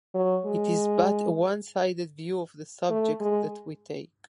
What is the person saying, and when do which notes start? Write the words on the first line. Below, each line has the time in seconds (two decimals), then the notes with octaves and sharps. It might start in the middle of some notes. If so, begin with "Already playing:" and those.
It is but a one-sided view of the subject that we take.
0.15 F#3
0.46 G#3
2.90 A3
3.21 G#3